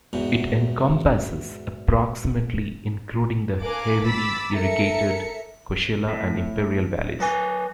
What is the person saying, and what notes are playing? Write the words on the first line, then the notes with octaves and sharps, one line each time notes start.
It encompasses approximately including the heavily irrigated Coachella and Imperial Valleys.
E2 G#2 B2
D4 A#4 F5 G#5 D6 F#6
B5 D6 E6 A6 B6
A4 A#4 E5 A#5 C#7
A2
F#3 B4 G#5